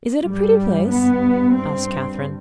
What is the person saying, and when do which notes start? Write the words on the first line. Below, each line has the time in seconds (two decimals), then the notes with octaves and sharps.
"Is it a pretty place?" asked Catherine.
0.25 G2 G3
0.90 B3
1.54 C4